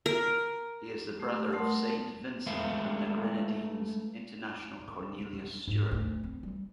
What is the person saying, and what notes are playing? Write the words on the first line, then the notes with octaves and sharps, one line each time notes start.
He is the brother of Saint Vincent and the Grenadines international Cornelius Stewart.
A#4
A3 G4
A3 A#4 F#5 A5 C6 D#6
A#4 A5
G#3 A3 B4 E5 F5
G#2
D2
C4
G3